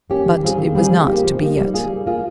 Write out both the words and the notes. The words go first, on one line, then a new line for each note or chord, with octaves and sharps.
But it was not to be yet.
A#3 C#4 G4
D#3
G3 C4 F4 G#4
D#3
G3 C4 F4 G#4
F3
A#3 D#4 G4
F3
A#3 D#4 G4
G3
A#3 F4 G#4
G3
A#3 F4 G#4